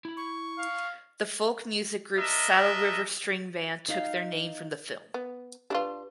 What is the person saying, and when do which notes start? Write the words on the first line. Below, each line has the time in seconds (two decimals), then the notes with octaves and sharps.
The folk music group Saddle River String Band took their name from the film.
0.05 E4 B5
0.17 C#6
0.58 F5
2.18 D4 A#4 D#5 E5
3.89 D#4 F5
5.14 B3
5.70 D4 E4 F4 G4 B4